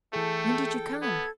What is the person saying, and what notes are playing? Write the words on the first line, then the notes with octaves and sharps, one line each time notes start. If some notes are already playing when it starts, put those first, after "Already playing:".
"When did you come?"
E3 A3 G#4 A4 G5
B3 A4 G#6